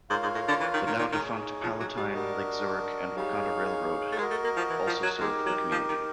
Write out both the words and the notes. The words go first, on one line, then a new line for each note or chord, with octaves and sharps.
The now-defunct Palatine, Lake Zurich and Wauconda Railroad also served the community.
G#2 F4 A#4 C#5 F5
G#2
A2
D3
E3
D#3
D#3
D#3
D#3 D#4 G#4 C#5
F3
F#3
G3
D4 F#4 A#4 D#5
G3 D#4 G#4 C#5 F5
A3
G#3 F#4 A#4 D#5
A3
A#3
F3
E3
F3
F#3
G#3 D#4 G4 A#4
F#3
F3
D#3